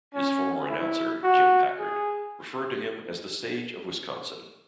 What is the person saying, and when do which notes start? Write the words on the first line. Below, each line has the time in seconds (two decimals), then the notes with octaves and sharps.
His former announcer, Jim Packard, referred to him as The Sage of Wisconsin.
0.15 C#4
0.69 E4
1.23 F#4
1.79 G#4